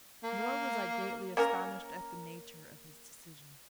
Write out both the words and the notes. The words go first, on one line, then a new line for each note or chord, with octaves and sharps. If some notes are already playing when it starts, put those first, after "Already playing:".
Nor was I greatly astonished at the nature of his decision.
A#3
A#3 C#4 A#4